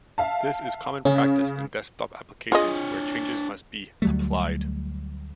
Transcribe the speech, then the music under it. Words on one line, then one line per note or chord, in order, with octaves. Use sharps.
This is common practice in desktop applications where changes must be "Applied".
E5 F5 A5
C#3 C#4
D4 F4 G#4 C#5 D#5
D2 F#3 G3 A3